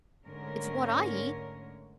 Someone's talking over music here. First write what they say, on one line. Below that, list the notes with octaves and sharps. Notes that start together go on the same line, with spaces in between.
"It's what I eat."
G#2 D3 A3 C#4 A#4 C#5